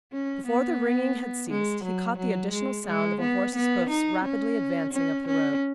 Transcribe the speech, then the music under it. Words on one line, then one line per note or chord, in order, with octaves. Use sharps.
Before the ringing had ceased, he caught the additional sound of a horse's hoofs rapidly advancing up the road.
C#4
B3
G#3
F#3
F#3
G#3
G#3
B3
B3
D#4
C#4
C#4
C#4